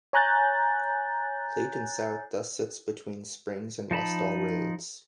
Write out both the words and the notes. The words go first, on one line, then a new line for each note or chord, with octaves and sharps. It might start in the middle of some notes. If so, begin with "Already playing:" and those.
Clayton South thus sits between Springs and Westall Roads.
C#5 G#5 A#5 F#6 G6 A6
F3 D#4 A5 B5